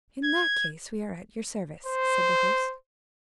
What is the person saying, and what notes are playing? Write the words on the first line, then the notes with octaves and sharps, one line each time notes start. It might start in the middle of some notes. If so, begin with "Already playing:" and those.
"In that case, we are at your service," said the host.
G#6
C5